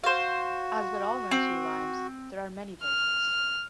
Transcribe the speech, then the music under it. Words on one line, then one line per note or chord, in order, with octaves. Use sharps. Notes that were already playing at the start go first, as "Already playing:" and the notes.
As with all nursery rhymes, there are many versions.
F#4 C5 F5
C4
F6